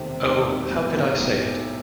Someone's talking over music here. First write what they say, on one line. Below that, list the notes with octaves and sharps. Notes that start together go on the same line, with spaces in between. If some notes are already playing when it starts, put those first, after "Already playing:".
Oh, how could I say it!
Already playing: E1 D#2 C3 D#3 A3 C4
E1 D#2 D#3 A3 C4
B1 A2 F#3 B3
D#3
C3
B1 A2 F#3 B3